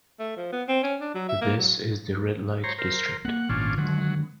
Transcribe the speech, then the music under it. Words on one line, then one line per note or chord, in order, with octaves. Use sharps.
This is the red light district.
A3
F3
B3
C4
C#4
D4
F#3
E5
A#3
F#3
C5 C#5 A#5
A#4 C5
A#3 B3 F#5
G#1 A#2 C#4 D4 F4
D3 D#3 F#3 G#3